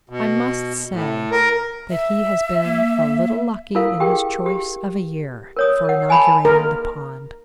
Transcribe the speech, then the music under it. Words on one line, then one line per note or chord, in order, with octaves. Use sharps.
I must say that he has been a little lucky in his choice of a year for inaugurating the pond.
B2
A2
A#4
E5
A#3
E4 A4 A#4 F5
G4 G#4 A#4 G5
G4
A#4 C#5 D#6
A#4 F#5
D#5 G#5 A5 B5
A#4